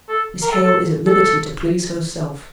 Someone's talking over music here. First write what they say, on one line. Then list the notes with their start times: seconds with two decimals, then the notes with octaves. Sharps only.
Miss Hale is at liberty to please herself.'
0.09 A4
0.42 A#4
0.52 A4
0.64 A4
1.07 A4